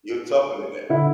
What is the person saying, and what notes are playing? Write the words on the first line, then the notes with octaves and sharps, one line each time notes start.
you're tougher than that.
D3 E4